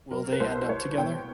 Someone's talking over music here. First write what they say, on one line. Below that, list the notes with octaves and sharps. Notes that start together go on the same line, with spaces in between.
Will they end up together?
F#3 A#4
B4
C2 C5
C2 C#5
B2 G5